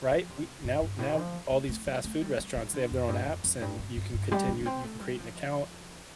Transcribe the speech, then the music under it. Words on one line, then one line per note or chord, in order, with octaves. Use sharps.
Right? We now now all these fast food restaurants, they have their own apps, and you can continue you can create an account,
F3
C3
G2
G2
A2
F3
A3
A3
G3
A3
G3
G3
G3
D3
F2
G2
F2
F2
G2
G2
G2
G2
G3
D3
A3
C4
A3
G3
F3